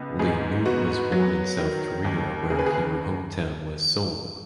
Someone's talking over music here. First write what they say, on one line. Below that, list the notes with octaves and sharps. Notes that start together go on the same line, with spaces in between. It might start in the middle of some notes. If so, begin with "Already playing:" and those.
Lee Noot was born in South Korea where here hometown was Seoul.
Already playing: C#2 B3
G#2 G#4
B3 F#4
F#3
D#3
D#2
C#3 G#4
B4
G#4
B4